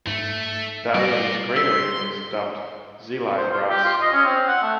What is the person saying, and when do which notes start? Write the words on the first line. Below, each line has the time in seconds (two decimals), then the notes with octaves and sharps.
Dalian's greenery was dubbed "Xilai Grass".
0.07 G#2 A3
0.95 G3 F4 D5 A#6 D7
1.56 C6 E6 B6
3.37 C5
3.52 F4
3.70 G4
3.84 F4
4.02 D#5
4.13 C#4
4.25 C4
4.48 F#5
4.63 A3